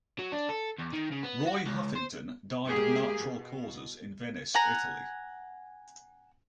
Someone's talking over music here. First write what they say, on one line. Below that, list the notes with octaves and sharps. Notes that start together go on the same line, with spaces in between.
Roy Huffington died of natural causes in Venice, Italy.
F#3
D4
A4
E2
D#3
C#3
B3
F#4
C#2
C5
G#3 A#3 G4 G#4
B2
F#5 G#5 A#5